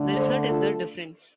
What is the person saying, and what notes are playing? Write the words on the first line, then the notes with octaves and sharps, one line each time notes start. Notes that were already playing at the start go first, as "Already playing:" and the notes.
The result is the "difference".
Already playing: D3 A3 D4
A4 C5
F4 A4